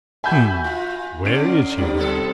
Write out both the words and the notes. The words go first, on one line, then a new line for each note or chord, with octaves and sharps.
"Hm, where is he, then?"
F#4 E5 G#5 B5 G6
F4
A#2 D3 C#4 D7
G2 G3 C4 D5
B2 A4